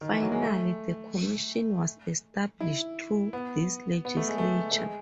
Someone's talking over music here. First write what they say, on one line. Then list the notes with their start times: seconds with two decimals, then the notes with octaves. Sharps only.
Finally, the Commission was established through this legislature.
0.01 D#3
0.11 E3
0.22 F#3
0.32 G#3
0.42 A3
2.60 E4
3.33 B3
4.05 B3
4.17 A3
4.28 G#3
4.38 A3
4.71 A3
4.78 G#3